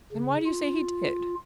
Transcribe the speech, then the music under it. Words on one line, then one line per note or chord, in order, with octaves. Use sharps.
"Then why do you say he did?"
C#3
F4